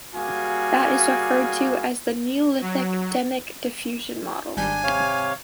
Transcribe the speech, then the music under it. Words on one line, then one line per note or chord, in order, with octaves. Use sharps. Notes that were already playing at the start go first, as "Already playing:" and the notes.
That is referred to as the Neolithic demic diffusion model.
G3 A#3 F#4 G#4 F5 G#5
F#3
G#1 G3 D4 G#5 G6
C3 C#5 F5